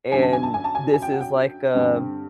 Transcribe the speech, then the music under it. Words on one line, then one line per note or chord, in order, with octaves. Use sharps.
and this is like a
F#2 D3 F#3 G#5
A5
G#5
A5
G#5
A5
G#5
G#5
G5
F#5
G5
G2 D3 G3 C4